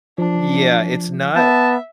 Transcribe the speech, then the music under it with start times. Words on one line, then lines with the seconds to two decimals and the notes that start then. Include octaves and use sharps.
Yeah, it's not
0.18 F3 D4
1.36 B3 E5 A5